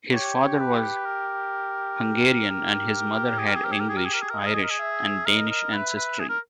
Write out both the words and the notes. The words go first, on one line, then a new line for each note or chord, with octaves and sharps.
His father was Hungarian and his mother had English, Irish, and Danish ancestry.
G4 C#5
C#5
B4
A#4
G4
G#4
A#4
G#4
A#4
G#4
A#4
G#4
A#4
G#4
A#4
G#4
A#4 D#5
G#4
A#4
G#4
A#4
G#4
E5
A#4 D#5
A#4
B4 E5
B4
G#4
A#4